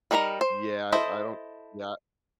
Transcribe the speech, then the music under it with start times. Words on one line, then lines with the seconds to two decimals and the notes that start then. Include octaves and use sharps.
Yeah, I I don't, yeah
0.11 G3 D#4 A#4 B4 A#5
0.41 C5
0.92 E4 A4 C5 D#5